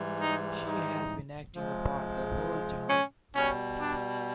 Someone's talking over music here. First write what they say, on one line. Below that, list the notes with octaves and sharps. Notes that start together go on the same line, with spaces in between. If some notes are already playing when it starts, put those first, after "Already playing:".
She has been acting a part the whole time.
Already playing: G#2 E3 G3
D#4
D#4
C3 F3 G#3
C#4
B2 G3 C#4
D4